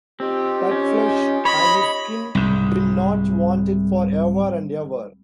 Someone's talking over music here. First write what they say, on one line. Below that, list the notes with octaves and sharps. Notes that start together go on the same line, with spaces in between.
Tudfwlch and his kin will not want it for ever and ever.
C4 D#4 F4 G4
C#4
C#5 D#5 B5
C2 G#2